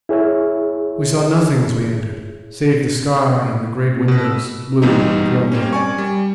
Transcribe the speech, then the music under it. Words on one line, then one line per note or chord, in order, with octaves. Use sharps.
We saw nothing as we entered, save the sky in the great windows, blue and glowing.
E4 G#4 C#5 E5
B2 B4
E6
A1 E2 G3 A#3 B3 D#4
G3 A#3 C4 C#4
D5 G#5 C#6
G3